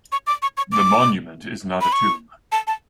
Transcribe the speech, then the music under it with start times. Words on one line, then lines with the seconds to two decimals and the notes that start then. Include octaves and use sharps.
The monument is not a tomb.
0.12 C#6
0.27 D6
0.42 C#6
0.57 C#6
0.72 D6
1.81 B5
1.93 C#6
2.52 A5
2.67 A5